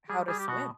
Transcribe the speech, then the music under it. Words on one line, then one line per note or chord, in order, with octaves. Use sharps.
how to swim.
G3 G#4
G3 G#4
G4
B2 F#4